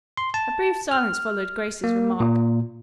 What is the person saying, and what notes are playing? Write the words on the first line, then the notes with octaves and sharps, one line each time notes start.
A brief silence followed Grace's remark.
C6
A5
F6
A#3
A#2